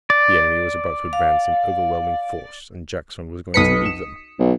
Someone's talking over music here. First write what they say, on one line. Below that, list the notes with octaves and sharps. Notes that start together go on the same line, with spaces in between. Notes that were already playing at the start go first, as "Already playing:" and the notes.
The enemy was about to advance in overwhelming force, and Jackson was going to leave them.
D5
F5
B1 B4 D#6 B6 C#7
E7
B1